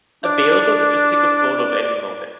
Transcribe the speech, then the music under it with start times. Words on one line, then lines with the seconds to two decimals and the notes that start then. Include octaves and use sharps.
a available to just take a photo of any moment.
0.25 D4 D5